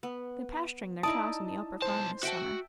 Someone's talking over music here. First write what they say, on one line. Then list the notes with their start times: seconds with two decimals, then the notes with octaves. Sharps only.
They're pasturing their cows on the upper farm this summer.
0.03 B3
1.03 D#4 E4 D5 A5 D#6
1.82 B1 C5 A5
2.23 F#4 E5 G5 A5